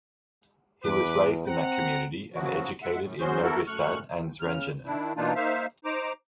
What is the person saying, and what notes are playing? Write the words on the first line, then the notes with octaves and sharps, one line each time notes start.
He was raised in that community and educated in Novi Sad and Zrenjanin.
E2 B4 D6
C4 F#5 A#5
F#2 C#3 F3 F#3 F#4
G#3 E5 F#5
F#2 A2
F#2 C#4 F#4 G#4 C5 G6
B3 E4 F#4 A4 A#4
F#2 A3 C#6 F6 F#6
C#3 F6
D#3 D4 E4
B2 E3 A#3 D4 D#4 F4
A#3 D#4 C5 E5 F5
D#4 C5 A#5 D6